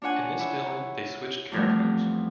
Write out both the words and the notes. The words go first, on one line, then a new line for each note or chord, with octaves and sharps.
In this film, they switched characters.
D4 F4 C#5 F#5 G#5
E4 C#5
E2 F3 G3 A3
C4